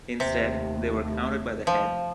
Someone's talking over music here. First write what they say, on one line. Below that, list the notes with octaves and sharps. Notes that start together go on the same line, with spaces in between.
Instead, they were "counted by the head".
D#2 C3 A3
F3